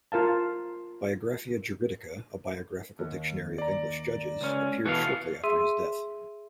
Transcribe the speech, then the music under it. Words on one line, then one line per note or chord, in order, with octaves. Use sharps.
"Biographia Juridica, a Biographical Dictionary of English Judges", appeared shortly after his death.
F4 A#4 F5 A5
D#2
D5 A#5
C#2 C#4
B2 E3 F#4 A4 F5
G#4 E5 C6 E6 D#7